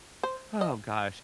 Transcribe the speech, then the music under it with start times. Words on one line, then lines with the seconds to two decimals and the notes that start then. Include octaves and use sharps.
Oh, gosh.
0.23 C5
0.61 D#5